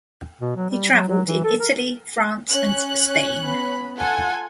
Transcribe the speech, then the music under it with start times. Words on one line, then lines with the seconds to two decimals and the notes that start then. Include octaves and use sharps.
He travelled in Italy, France and Spain.
0.41 B2
0.56 F#3
0.70 G3
0.91 F#3
1.09 F#3
1.27 E3
1.44 A4
1.60 A#4
2.50 C#4 F#6
3.44 B3 B5
3.97 F4 A4 F#5 G#5